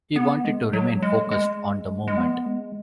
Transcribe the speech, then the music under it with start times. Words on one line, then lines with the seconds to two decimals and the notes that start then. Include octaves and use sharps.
He wanted to remain focused on the movement.
0.16 B3
0.44 G#3
0.73 F#3
1.02 G#3
1.31 G#3
2.08 G#3
2.18 B3
2.46 G#3